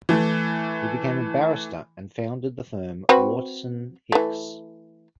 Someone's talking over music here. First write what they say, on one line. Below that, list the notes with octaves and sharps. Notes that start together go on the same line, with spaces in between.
He became a barrister and founded the firm Waterson Hicks.
E3 A3
C4 F#4 B4
E3 A3